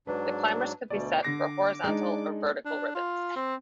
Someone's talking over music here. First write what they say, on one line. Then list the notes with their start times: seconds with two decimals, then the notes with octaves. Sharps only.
The climbers could be set for horizontal or vertical ribbons.
0.07 G#2 F#3 D4 B4
0.90 D2 B2 D5
1.23 D3 D6 A#6 C7
1.84 G#3 D4 D#4 D5
2.65 D4
2.95 F4
3.36 C4